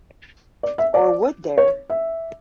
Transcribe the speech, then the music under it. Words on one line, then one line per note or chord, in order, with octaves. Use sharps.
Or would there?
D5
E5
D5
C#5
E5